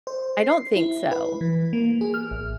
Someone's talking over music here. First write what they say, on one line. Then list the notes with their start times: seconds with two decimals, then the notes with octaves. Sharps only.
I don't think so.
0.07 C5
0.38 C7
0.76 E4
1.11 B4
1.41 E3
1.73 A#3
2.01 G#4
2.14 F6
2.31 A1